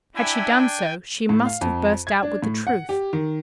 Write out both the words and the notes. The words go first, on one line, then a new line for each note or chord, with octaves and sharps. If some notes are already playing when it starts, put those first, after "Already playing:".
Had she done so, she must have burst out with the truth.
D4 E4 G5 G#5
A2
F5
F2
G#6
D4
A2
F#5
G4
D#3